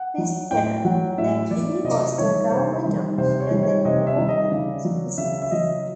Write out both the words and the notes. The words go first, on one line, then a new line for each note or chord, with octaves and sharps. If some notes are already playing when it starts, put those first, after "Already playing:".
Fitzgerald knew that Libby was the government official that Miller refused to discuss.
Already playing: F#5
F#3
A2 G5
F#3 F#5
A2 E5
F#3 D5
C3 D#5
D#3 G3 C#5
C3 C5
D#3 G3
C3 C5
C#5
D#3 G3
C#5
C3 D#5
E5
D#3 G3
D#5
C#3 D5
F#3
C#3 E5
E5
F#3 D#5